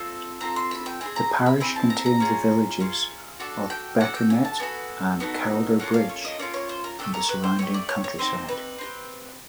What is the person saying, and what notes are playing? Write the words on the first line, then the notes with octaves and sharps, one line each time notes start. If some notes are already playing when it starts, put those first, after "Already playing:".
The parish contains the villages of Beckermet and Calder Bridge and the surrounding countryside.
Already playing: C4 F4 A4
C4 F4 A4 A#5
C6
B5
G5
C4 E4 G#4 G#5
A#5
B5
C4 E4 G#4 B5
A5
A#5
A#5
C#4 F4 G#4
C#4 F4 G#4
D4 F#4 A4 A5
G5
D4 F#4 A4 F#5
G5
G#5
A5
B3 D#4 F#4 A4 G#5
B3 D#4 F#4 A4
A#3 C#4 F4 A4 F#5
F5
C#5
D#5
A#3 C#4 F4 A4 D5
C#5
C5
A#4
A3 D4 G4 A4
A#4
B4
C5
A3 D4 G4 C#5
D5
C#5
C#5
C4 D#4 G4 C5
B4
C4 D#4 G4